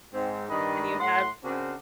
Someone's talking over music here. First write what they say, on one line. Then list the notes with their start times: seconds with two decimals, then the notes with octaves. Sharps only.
And you have
0.14 G#2 C4
0.49 G2 D#3 B4 D5 D#5
1.00 A2 F#5 C6
1.44 C#3 C4 D4 F#4 A#4 C5